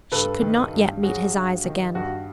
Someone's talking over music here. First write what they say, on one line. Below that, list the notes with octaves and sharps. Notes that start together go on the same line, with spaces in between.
She could not yet meet his eyes again.
G2 A4 B4
D#3
G2
F#3 F#4 G#4
G2
D#3
G2 F#4